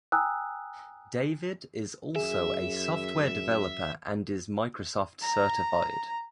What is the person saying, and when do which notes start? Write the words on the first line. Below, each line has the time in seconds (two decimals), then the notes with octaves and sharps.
David is also a software developer and is Microsoft Certified.
0.12 G5 G#5 A#5 D#6 E6 F#6
2.16 F#2 G#4 E5
5.22 A#5